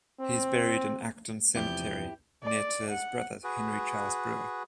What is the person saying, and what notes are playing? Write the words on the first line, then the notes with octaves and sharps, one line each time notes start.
He is buried in Acton Cemetery near to his brother Henry Charles Brewer.
C4
E2 C3 F3 E4 G4 G6
D5
F#5
F#4 G#4 B4